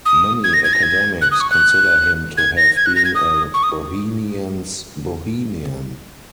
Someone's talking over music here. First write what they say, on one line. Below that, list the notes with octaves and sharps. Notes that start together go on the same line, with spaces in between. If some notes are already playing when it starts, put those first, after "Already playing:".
Many academics consider him to have been a bohemian's bohemian.
D#6
G#6
A#6
G#6
A#6
G#6
F#6
D#6
C#6
F#6
G#6
A#6
G#6
F#6
A#6
G#6
D#6
C#6
D#6